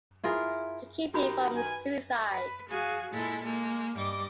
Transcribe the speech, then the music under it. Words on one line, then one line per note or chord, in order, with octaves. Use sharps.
To keep him from suicide.
E4 F4 G#4 A#4
D#3 F#4 G4 B5
B4 G#5
B4
F#4 G#4 F5 G#5
A#2 G#3 E4 A4
G#3 A#3
G2 G3 D#5 D6